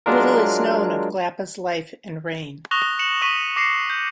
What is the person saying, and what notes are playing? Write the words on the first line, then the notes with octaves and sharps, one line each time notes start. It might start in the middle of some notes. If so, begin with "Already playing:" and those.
Little is known of Glappa's life and reign.
F#3 G#3 D4 F4 A#4
C#6 D#6 F#6 A#6 F7 G7
C#7 E7 F#7
C#6 D#6 B6 D#7 F#7 G7
D6 A#6 C7 C#7 E7
G6